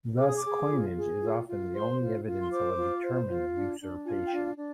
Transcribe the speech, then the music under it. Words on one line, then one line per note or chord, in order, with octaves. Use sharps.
Thus coinage is often the only evidence of a determined usurpation.
G#4 D6
D#6
D6
G#4
F4
G#4
F4
F4
C5 C6
F4
F4
C6
C5 D6
F4
C5
F4
D4
D4
F4 G#5
G5
D4
F5
D4